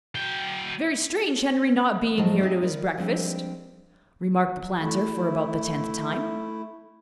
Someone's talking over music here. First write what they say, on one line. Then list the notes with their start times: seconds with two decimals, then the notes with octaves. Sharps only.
"Very strange Henry not being here to his breakfast!" remarked the planter, for about the tenth time.
0.15 F#3 G5
2.17 A2 F3 F#3 D#4 G#4 A5
2.39 A3 C4 D#4
2.62 E4 F4 A#4 C#5 D5
2.97 F3 G3 G#3 C4 D4
4.79 A3 E4